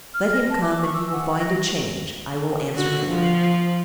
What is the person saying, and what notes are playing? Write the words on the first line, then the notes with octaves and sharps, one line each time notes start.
"Let him come and he will find a change, I will answer for it."
F6
A#6
A5
D6
C#6
E6
F#5
A#6
D3 F#4
F3